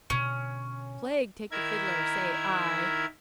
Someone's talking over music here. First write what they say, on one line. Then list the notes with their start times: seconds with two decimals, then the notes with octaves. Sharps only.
Plague take the Fiddler! say I.
0.10 B2 D3 C#4
1.52 D#3 E4 A#4 E5 G#6